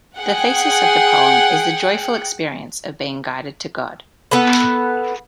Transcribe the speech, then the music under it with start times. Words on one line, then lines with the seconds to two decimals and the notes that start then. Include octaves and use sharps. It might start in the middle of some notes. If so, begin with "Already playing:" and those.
The thesis of the poem is the joyful experience of being guided to God.
0.18 G#4 F#5 G5
4.31 B3 A4 B4